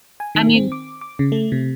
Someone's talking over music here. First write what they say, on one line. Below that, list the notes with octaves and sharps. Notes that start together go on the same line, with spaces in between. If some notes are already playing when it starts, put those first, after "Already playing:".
I mean
G#5
D#3
C4
D6
D6
C#3
A3
C3